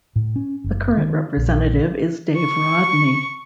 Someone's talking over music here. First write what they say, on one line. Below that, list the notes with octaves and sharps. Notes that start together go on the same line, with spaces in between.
The current representative is Dave Rodney.
A2
C#4
F#1
D#3
A#1
C#6